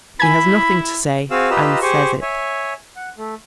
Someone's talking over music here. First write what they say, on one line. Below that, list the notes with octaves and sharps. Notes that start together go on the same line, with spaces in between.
He has nothing to say and says it.
E4 G#5 B5 G#6
C4 F#4 G#4 F5 E6
F4 G4 B4 D#5 A#5 E6
G4 G#4 C5 C#6
C#5 E5 G#5
F#5
A3